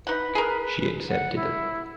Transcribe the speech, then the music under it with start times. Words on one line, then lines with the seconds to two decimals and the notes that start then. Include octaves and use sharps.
She accepted it.
0.07 D#4 B4 F#5
0.35 G#4 A#4
1.09 F#5
1.36 E4